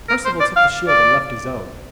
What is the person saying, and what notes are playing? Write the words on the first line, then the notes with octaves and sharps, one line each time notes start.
Perceval took the shield and left his own.
A#4
C5
D5
F5
D5